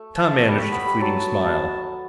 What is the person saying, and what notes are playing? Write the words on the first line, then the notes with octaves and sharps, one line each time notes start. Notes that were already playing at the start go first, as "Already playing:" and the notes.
Tom managed a fleeting smile.
Already playing: A3
A5
G3
A3 B5
B3
G3
F#3 A5
A5